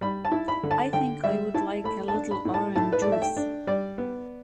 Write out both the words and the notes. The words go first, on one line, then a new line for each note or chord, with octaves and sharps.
I think I would like a little orange juice.
G3 B5
A5
E4
B5
D3
A5
D3 G5
G3 E5
E4 A5
A3 B5
A5
D4
B5
A2
A5
A2 A5
B4
D5
A3 E5
G5
D4
G3 D5
B3